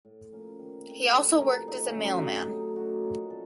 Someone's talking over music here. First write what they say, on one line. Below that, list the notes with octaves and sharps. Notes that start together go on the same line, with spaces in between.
He also worked as a mailman.
A2
F3 A#3 C#4
D#3
A3 C4
C3 C5
A#4
F3 A3 C4
A4
C#3 D#4
C#4
F#3 A3
D#4
C3 D#4
F#3 A3 C#4
A2 F#4
F3 A#3 C#4
A#2 A4